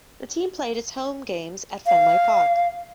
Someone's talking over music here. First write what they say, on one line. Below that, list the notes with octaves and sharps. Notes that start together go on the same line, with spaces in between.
The team played its home games at Fenway Park.
F5